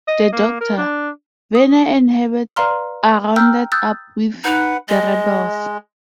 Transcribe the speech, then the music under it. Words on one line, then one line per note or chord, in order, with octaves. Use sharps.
The Doctor, Vena and Herbert are rounded up with the rebels.
D#5
A#3
A#4
D4
D#6
B4 D5 F5 A#5 C6 F6
G5 A#5 E6 F6 G6
D#6 E6 F#6 G6 A6
D#4 B4 F#5
G#3 D#5